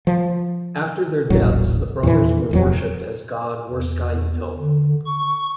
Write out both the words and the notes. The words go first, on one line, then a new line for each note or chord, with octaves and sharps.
After their deaths the brothers were worshiped as god Wurskaito.
F3
D#1 A1 F#3
E2 A#2 E3
D#1 F2 F#3
E2
D3
C#6